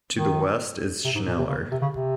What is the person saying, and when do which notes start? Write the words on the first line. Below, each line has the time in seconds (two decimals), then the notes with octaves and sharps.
To the west is Schneller.
0.16 D#3
1.04 C3
1.15 G#2
1.27 A#2
1.38 C3
1.49 C#3
1.71 C3
1.82 C#3
1.93 C3